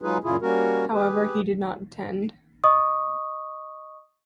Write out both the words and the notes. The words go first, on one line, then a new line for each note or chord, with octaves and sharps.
However, he did not attend.
F#3 G#3 D#4 F4 G#4 B4
F#2 A#2 C#3 E4 F4 G#4
G3 A#3 C#4 F#4 A#4
G4 G#4 B4
D#5 C#6 D#6